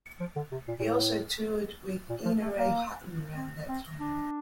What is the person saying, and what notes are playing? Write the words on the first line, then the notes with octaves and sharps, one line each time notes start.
He also toured with Ina Ray Hutton around that time.
F3
D3
C3
A#2
A#2
A2
A#2
F3
A3
A#3
C4
C4
D4